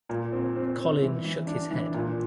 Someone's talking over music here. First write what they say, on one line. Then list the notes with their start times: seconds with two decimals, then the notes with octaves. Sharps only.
Colin shook his head.
0.09 A#2
0.32 C4
0.56 C4
0.79 C4
1.02 E3
1.25 E3
1.47 D4
1.71 E3
1.94 A#2